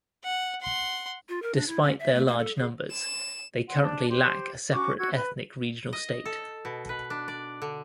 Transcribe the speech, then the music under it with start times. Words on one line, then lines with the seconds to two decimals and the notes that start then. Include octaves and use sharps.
Despite their large numbers they currently lack a separate ethnic regional state.
0.23 F#5
0.61 F#5 C6
1.29 F4
1.42 A#4
1.55 D4
1.68 E4
1.83 C#4
2.00 E5
2.15 A3
2.27 A#3
2.39 A4
2.56 G#4
2.91 E7
3.68 F#5 C6
3.82 D4 A5
4.10 G4 C5 C6
4.72 C#4 F#4 C#6 D6
4.98 F#4 E6 G#6
5.16 B4
5.93 D#5
6.25 A4
6.65 B2
6.89 B4
7.10 D4
7.28 D5
7.62 D3